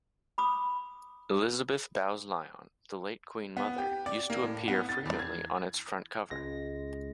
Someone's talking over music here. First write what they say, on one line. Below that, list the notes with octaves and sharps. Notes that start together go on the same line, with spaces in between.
Elizabeth Bowes-Lyon, the late Queen Mother, used to appear frequently on its front cover.
B5 D6 D#6
B3
G4
D5
A#3
A2
B3
A6
E2
G#6
C#2 C#3 G#3 A#6